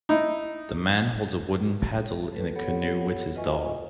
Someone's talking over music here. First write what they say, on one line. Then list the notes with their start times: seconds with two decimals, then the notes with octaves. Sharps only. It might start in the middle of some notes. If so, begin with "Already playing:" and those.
The man holds a wooden paddle in a canoe with his dog.
0.09 D#4 E4
2.32 A3 A4 B4
2.56 B3 G4 A4 C#5 F#5
3.35 F4 B4 D#5 E5 G#5 C#6